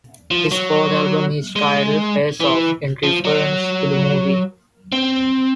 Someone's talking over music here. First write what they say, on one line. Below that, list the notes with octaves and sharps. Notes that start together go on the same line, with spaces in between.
His fourth album is titled "Face Off" in reference to the movie.
F3
F#3
G#3
E3
F3
F#3
C4